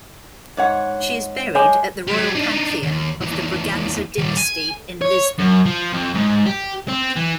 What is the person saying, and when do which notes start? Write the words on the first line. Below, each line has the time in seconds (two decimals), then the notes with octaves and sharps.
She is buried at the Royal Pantheon of the Braganza Dynasty in Lisbon.
0.57 G#2 C#5 F#5
1.55 G#3 C#5 G#5 D6
2.08 F#3 G3
2.35 D4 D#4
2.83 D#2
3.21 D#2 E3
4.18 D#3 G3
4.37 G#5
5.02 C#5
5.39 F#2
5.66 F3
5.93 F2
6.15 G#2
6.46 G4
6.88 C4
7.16 E3